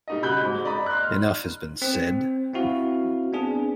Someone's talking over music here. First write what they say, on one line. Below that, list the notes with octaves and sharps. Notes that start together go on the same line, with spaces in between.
Enough has been said.
G3 D#4 D#5
C#3 F#4 B5 F#6 G6 G7
G#2
D5 D#5 A#5 B5
C6 F#6
F6
C4
C4 E4 F#4 F5
B3 C4 D4 G#4